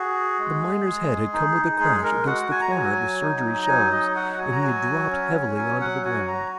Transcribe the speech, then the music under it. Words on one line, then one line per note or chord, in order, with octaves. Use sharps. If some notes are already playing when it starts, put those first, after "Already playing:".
The miner's head had come with a crash against the corner of the surgery shelves, and he had dropped heavily on to the ground.
Already playing: F#4 G#4
G#3
G#3
D#4
G#3 G#4
A#4
F#4 F#5
G#5
A#5
F#3 G#5
D#4
A#5
F#3 G#5
D#5
F#4 F#5
F#5
G#5
A#5
F#3 G#5
C#4
F#3 G#5
F#5
F#4 G#5
A#5